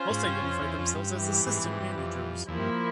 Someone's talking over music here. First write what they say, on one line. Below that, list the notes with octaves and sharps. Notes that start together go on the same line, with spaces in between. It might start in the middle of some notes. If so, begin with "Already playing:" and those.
Most identify themselves as assistant managers.
Already playing: C#4 F4 C5
G#2
G2
F2
E2
F2
G2
E3 G3 C4 G4
G#2
G#2
G2
F2
E2 F3 A#3 E4
G2